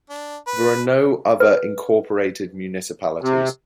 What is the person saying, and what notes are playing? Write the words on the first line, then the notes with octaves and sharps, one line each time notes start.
There are no other incorporated municipalities.
D4
B4
B4
C3